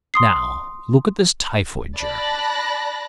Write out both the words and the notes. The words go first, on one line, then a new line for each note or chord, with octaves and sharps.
Now look at this typhoid germ.
C6 D#6 C7
D5 A5 B5 F#6 A6 A#6